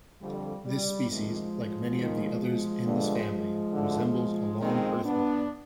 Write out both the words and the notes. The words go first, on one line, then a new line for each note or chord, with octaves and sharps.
This species, like many of the others in this family, resembles a long earthworm.
F2 D3 G3
G3
F2 C3 D#3 F3 G#3
D#2 D#3
G2 D3
D2 D3
F2 D#3 G#3 C4
B3 D4